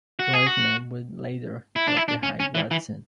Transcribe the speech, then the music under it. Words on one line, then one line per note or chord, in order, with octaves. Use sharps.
Reutemann would later drop behind Watson.
F#4
G#4
F#4
E4
D4
E4
D4
C#4
C#4
E3
E3